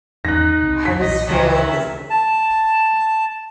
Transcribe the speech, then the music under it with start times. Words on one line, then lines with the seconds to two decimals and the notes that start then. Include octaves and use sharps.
Head is fairly visible.
0.25 E2 G#2 D#3 D#4 F#6 A#6
0.62 C2 C3
0.85 F2 D#3 B6
1.00 B1 A#2 E3 D#5
1.27 C#2 C3 F3 F#3 D#5
1.53 E5
2.10 A5